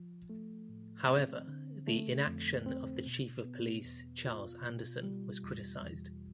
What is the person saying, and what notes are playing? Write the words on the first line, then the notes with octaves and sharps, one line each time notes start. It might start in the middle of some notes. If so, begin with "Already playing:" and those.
However the inaction of the Chief of Police Charles Anderson was criticised.
Already playing: F3
A3
A2
C4
D3
A3
F2
C4
B2
B3
E2
F4
B2
G3
E2
E2